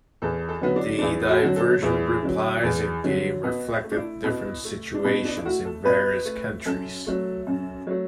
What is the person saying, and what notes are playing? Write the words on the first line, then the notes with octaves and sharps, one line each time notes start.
The divergent replies it gave reflected different situations in various countries.
E2 A4
A4
D3 F#3 B3
D4
D4
E2 E4
F#4
A4
D3 F#3 F#4
A4
E2 E4
D3 F#3
E2
D3 F#3
B2 B3
A3
D4
E4
B2
A3
D4
B2 B3
D4
E4
A3 F#4
A4
B2 B4
A3
F#2 A4
F#3 A3
F#2
F#3 A3